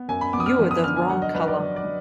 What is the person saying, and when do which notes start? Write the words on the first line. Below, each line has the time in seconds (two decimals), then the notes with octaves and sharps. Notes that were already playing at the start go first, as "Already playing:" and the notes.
You're the wrong colour.
Already playing: B3
0.08 F#2 G#5
0.21 B5
0.33 B3 D6
0.40 D#6
0.46 F6
0.59 F3
0.71 D#6
0.84 D3 F6
0.96 G#5
1.09 F#3 F#5
1.22 D#5
1.35 F#3 B4
1.48 D5
1.60 F#3
1.76 D5
1.84 F#3